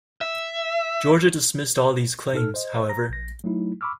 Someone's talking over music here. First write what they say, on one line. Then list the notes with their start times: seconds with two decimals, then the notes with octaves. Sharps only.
Georgia dismissed all these claims, however.
0.21 E5
2.33 A#2 D#4 A4 F6
2.54 C5 D#5
2.89 A#5 A#6
3.09 A#1 A#6
3.44 F#3 A3 D#4 E4
3.81 B5 C#6 D6 E6 F6